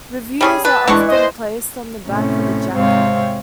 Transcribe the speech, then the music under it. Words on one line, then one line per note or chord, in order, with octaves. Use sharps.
Reviews are often placed on the back of the jacket.
G3 C#4 G#4
B4 A5
A1 E3 G#3 D4 C#6
C5 D#5
A2 C3 C#4
G#2 C3 C4 C#5 F5